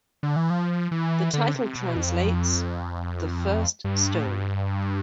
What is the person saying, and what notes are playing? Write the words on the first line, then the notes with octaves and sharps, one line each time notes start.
The title translates "The first stone".
D3
E3
F3
E3
D3
C3
B2
F2
G2
A2
G2